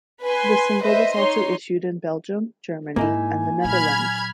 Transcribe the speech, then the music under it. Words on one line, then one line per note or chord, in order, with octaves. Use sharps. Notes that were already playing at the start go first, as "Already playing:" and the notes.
The single was also issued in Belgium, Germany and the Netherlands.
B4 G#5 C6
B4 C5 D#5 E5
D#4 C#5 C6
G#2 A#3 D#4 E4 G#5
A#2 F#3 B5 F6 G#6